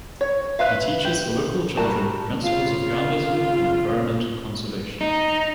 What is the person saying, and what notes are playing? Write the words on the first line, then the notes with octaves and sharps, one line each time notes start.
He teaches the local children principles of Gandhism and environmental conservation.
C#5
B4 E5 F5
G4
G3 F#4 A#4 A5
C#3 C4 F4
D#4